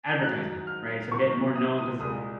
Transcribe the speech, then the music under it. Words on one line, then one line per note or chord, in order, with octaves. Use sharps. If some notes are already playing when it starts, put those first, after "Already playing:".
advertisement," right? So, get more known 'cause"
G#2 D#3 F#3 F#6
F6
G#2 D#3 F#3 C#6
D#6
D#6
C2 A#2 G#3 D#6